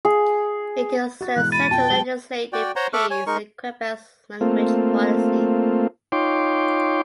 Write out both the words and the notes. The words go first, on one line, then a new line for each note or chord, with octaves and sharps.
It is the central legislative piece in Quebec's language policy.
G#4
F#4 A6
G#2 B2 E3 F#6
B5 A6 D#7
F2 B2 F3 G5 A5
F#3 G#3 G4 G7
F#4 D5 G5
C5 C#5 F#5 A#5 C6
A4 E5 C#6 D6 F6 F#6
C#5 G#5
G#3 D#4 A#4 C#6
A3 A#3 C4 F4
D#4 F4 C#5 G5 C6 D6